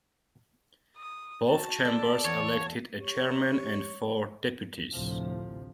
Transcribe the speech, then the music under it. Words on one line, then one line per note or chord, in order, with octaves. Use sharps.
Both chambers elected a Chairman and four Deputies.
D#6
F#4 A5
A4 D5
E2 C#5
G4 C#5
A1 D2 A2 C3 F3